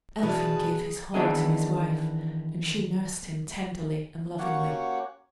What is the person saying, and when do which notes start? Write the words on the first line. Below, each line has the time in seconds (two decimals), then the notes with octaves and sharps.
Elphin gave his haul to his wife, and she nursed him tenderly and lovingly.
0.23 B2 E3 B3 D4 G#4 B4 A5
1.14 D#3 E3 B3 D4 G#4 D#5
4.39 A#3 C#4 F#4 G4 C#5 F#5